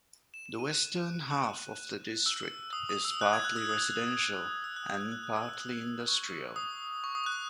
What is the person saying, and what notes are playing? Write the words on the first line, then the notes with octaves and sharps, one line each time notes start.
The western half of the district is partly residential and partly industrial.
E7
E7
D#7
F#6
F#6
E6
D#6
D#6
E6
F#6
G#6
F#6
E6
D#6
E6
F#6
F#6
F#6
F#6
E6
E6
D#6
C#6
D#6
C#6
D#6
F#6